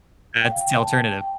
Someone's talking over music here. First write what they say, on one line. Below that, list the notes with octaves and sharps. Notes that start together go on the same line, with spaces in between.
That's alternative.
G5
F5
G5
A5
G5